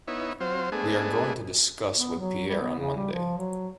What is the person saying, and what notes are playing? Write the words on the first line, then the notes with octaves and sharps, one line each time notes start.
We are going to discuss with Pierre on Monday.
B3 D#4 E4 C#5
F#3 C4 F4 C5
G#3 A3 B3 D4 G#4
B3
F#3
G3
B3
C#3
G3
F3
F#3